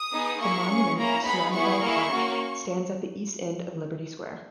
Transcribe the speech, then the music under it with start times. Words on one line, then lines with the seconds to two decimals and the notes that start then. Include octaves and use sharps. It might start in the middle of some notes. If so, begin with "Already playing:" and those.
The monument, surrounded by a park, stands at the east end of Liberty Square.
Already playing: D#6
0.12 B3 D#4 G#4
0.40 A#3 E4 G#4 C#6
0.69 C#4 G#4
0.97 A#3 C#4 E4 A#5
1.25 B3 D#4 G#4 B5
1.54 B3 E4 G#4 C#6
1.83 A#3 E4 G#4
2.11 A#3 C#4 F#4